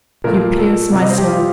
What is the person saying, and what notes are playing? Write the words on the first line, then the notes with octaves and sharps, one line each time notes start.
You pierce my soul.
A#2 F3 A3 A#4
A4
C3 G3 D5
D#5
C5
G4
F4